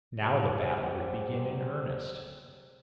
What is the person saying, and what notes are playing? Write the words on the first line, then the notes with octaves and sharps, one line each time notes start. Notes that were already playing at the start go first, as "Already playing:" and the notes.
Now the battle would begin in earnest.
F#3 G3 G4 G#4 C5